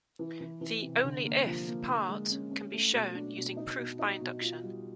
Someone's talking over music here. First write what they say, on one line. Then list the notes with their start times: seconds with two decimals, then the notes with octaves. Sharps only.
The 'only if' part can be shown using proof by induction.
0.19 E3
0.40 E3
0.61 E3
0.82 C3
1.04 D3
1.25 A#3
1.46 F3
1.67 A#3
1.88 D3
2.09 G#3
2.30 C#4
2.51 C#4
2.73 A3
2.93 B2
3.14 D4
3.36 B2
3.57 D#4
3.78 B2
3.99 D#4
4.20 B2
4.42 F4
4.63 G3